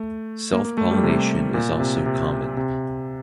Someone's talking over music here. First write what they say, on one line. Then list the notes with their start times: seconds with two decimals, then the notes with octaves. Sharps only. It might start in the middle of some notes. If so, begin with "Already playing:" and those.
Self-pollination is also common.
Already playing: A3
0.53 A#3
0.65 A#3
0.77 A3
0.91 G3
1.03 C3
1.54 A#2
1.80 C3
2.06 C3
2.57 C3